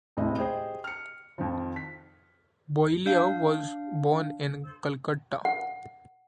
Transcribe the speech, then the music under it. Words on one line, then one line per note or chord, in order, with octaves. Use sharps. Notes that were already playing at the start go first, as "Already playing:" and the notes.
Boileau was born in Calcutta.
E1 A1 D#2 C3 E4 D#5
G4 G#4 C5 D#5
F6 C#7
F2 D#3 F3
B6
D4 F5
F#5